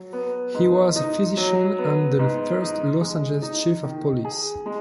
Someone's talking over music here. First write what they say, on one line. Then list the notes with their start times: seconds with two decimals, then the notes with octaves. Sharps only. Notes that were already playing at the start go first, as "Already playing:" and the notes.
He was a physician and the first Los Angeles Chief of Police.
Already playing: F#3
0.13 B3
0.55 G#2
0.96 D#4
1.37 F#3
1.78 B3
2.19 G#2
2.61 D#4
3.01 G#3
3.42 D#4
3.84 D#3
4.25 G#4
4.66 G#3